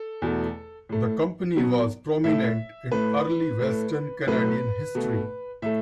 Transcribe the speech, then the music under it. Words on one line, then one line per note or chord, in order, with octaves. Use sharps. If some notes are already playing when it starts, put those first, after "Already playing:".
The company was prominent in early Western Canadian history.
Already playing: A4
E2 B2 A3
A2 A3
B2 F#3 B3
A2 A3 E5
A2 A3 B4
A2 A3
A2 F#3 A3 B4
B2 A3
A2 A3 E5